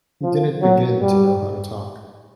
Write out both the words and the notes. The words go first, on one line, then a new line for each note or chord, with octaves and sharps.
He didn’t begin to know how to talk.
F3
F#3
G3